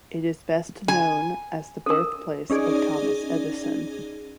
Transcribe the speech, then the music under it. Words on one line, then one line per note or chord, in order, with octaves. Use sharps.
It is best known as the birthplace of Thomas Edison.
G#5
A4 A#4
C#4 D#4 G#4 D5